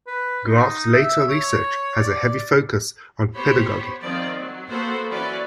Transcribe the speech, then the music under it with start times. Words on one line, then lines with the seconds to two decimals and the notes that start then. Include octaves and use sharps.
Graff's later research has a heavy focus on pedagogy.
0.07 B4
0.46 D#4
0.93 E5
1.28 C#5
1.96 D5
3.34 B3 G4 C5 C#5 B5
4.02 D#3 F3 C4 D5
4.39 F#3
4.68 A#3 B3 F#4 A4 C5
5.10 E3 F#3 C#4 B4 D5